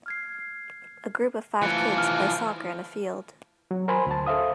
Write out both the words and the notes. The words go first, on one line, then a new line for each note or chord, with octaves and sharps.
A group of five kids play soccer in a field.
F6 G#6 C7
E3 F3 A3 F#6 C#7
F6
F#3
A#4 C5 G#5 B5 C6
D2 A5
A4 C5 E5 F5 D#6